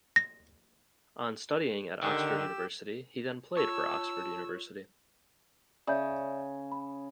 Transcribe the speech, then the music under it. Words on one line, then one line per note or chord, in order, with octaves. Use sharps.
On studying at Oxford University he then played for Oxford University.
A#6
D3 D#3 G4 E6
F4 C#5 A5 E6
C#3 D5 E5 G6
B5